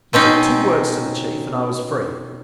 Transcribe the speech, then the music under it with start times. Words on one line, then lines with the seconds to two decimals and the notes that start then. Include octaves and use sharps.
"He said two words to the chief and I was free."
0.13 B2 C4 C#4 D#4